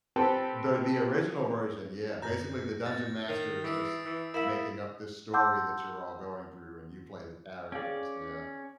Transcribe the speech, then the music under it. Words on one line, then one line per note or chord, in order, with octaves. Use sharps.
The the original version, yeah, basically the Dungeon Master is just making up this story that you're all going through and you play the characters. Yeah.
C4 G4 A4 B4 G5 A5
F#2 G6 A#6
A6
D#3 C7
E3 D#6 E6 D7
E3
E4 A#4 F5 E6 E7
F#5 A5 C6 D6 E6 G6
C#4 G#4 D5 F5 G5